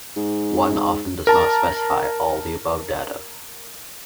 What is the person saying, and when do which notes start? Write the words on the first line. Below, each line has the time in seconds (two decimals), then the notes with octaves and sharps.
One often does not specify all the above data.
0.16 G#2
1.27 A#4 A5 A#5